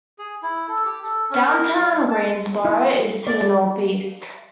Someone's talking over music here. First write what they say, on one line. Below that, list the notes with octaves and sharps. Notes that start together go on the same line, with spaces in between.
Downtown Greensboro is to the northeast.
G#4
E4
A4
G4
A4
C#4
A#4
G3
A5
E4
D5